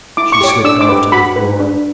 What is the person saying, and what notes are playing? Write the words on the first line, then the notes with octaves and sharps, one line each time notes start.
She slipped off to the floor.
E4 D6
C#6
G4 C#5
D6
D4 E6
D6
G4 B4
F#4 B5
B4
D4